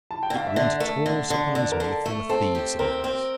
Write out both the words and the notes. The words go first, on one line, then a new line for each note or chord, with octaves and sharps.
It wouldn't at all surprise me if there were thieves in the house.
A5
G5
D3
F5
E5
D3
D5
A3 A#4
D3
D3
D3
A#4
D3 A4
A3
C4 A4
G4
C4 A#4
C4